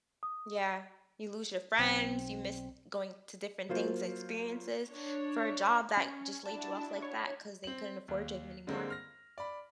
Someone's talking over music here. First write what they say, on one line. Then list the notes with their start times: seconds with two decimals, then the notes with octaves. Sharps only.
Yeah. You lose your friends, you miss going to different things experiences for a job that just laid you off like that 'cause they couldn't afford you anymore.
0.23 D#6
1.78 B1 C4
3.69 F#3 A#3 F4 C5
4.89 D4 C#5
5.97 C#4
6.45 D4 E4 F#4 A5
7.02 C#5
7.64 C4 F#7
8.08 D#2
8.67 D3 G3 G#3 A#3 C4
8.90 F6 A#6
9.38 D5 B5